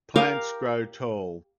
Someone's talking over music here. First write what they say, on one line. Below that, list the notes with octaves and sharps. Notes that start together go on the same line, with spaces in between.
Plants grow tall.
G4 A#4 F5